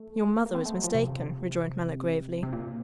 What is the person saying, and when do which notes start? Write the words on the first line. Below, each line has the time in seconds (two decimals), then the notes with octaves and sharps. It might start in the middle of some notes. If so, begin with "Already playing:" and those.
"Your mother is mistaken," rejoined Mallow gravely.
Already playing: A3
0.46 A#3
0.55 C4
0.65 A3
0.75 F#3
0.84 F3
0.95 C3
2.43 C3
2.53 A#2